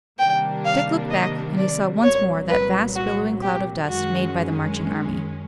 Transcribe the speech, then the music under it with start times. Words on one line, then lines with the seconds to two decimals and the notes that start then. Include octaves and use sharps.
Dick looked back, and he saw once more that vast billowing cloud of dust made by the marching army.
0.19 C3 D#3 G3 A#3 D4 G5
0.65 F5
1.11 D#5
1.58 D5
2.03 C2 A#2 F#3 C#5
2.49 B4
2.96 F#4
3.42 G4
3.88 F#2 D#3 G#3 C#4 F#4